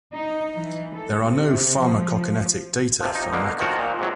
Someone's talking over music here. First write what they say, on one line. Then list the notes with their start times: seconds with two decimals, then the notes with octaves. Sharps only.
There are no pharmacokinetic data for maca.
0.14 D#4
0.54 E3
0.95 A4
1.25 C3
1.79 F3
3.00 C3 F3
3.15 D#4
3.32 B2 D3 A#3
3.60 D#3 F3 F#4 A#4
3.79 A#2
3.99 G#2 C3 F#3